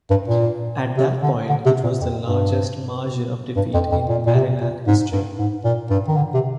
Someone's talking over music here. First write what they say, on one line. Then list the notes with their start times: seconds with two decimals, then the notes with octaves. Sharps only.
At that point, it was the largest margin of defeat in Maryland history.
0.11 G2
0.28 A#2
0.98 C3
1.23 D3
1.49 D3
1.66 C3
1.84 A#2
2.01 F2
2.26 G2
3.56 G2
3.74 F2
3.92 F2
4.09 A#2
4.26 A#2
4.35 C3
4.61 A#2
4.87 G#2
5.12 G2
5.39 G#2
5.65 A#2
5.90 G2
6.08 D#3
6.16 D3
6.34 C3